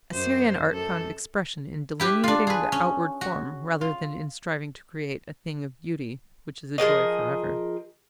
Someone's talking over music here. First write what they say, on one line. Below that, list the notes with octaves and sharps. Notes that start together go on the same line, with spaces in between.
Assyrian art found expression in delineating the outward form rather than in striving to create a "thing of beauty" which is "a joy for ever".
F#2 C5
F#2 A4
E4 G4 B4
D4 F4
G#4 B4
C#4
F#4
F4
F3 G#4 A#4 D#5